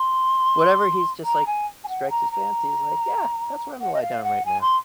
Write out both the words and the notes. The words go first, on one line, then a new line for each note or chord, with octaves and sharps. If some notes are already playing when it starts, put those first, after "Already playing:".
whatever he's just, like, strikes his fancy, he's, like, "Yeah, that's where I'm gonna lie down right now."
Already playing: C6
A#5
G#5
G#5
F#5
A#5
A#5
F#5
D#5
F5
F#5
G#5
C6